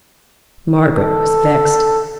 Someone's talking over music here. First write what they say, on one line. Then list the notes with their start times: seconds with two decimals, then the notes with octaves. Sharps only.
Margaret was vexed.
0.95 A4